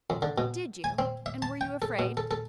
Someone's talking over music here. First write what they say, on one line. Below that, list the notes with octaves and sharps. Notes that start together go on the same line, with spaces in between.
"Did you? and were you afraid?"
F2
D3
B2
G#5
C4
E5
A5
G5
A4
B2
A4
A4